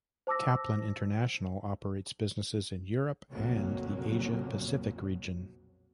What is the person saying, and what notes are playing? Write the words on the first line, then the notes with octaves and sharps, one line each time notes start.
Kaplan International operates businesses in Europe and the Asia Pacific region.
C5 A5 D6 E6 A#6
B1 F2 A#2 C#3 F#3 A#3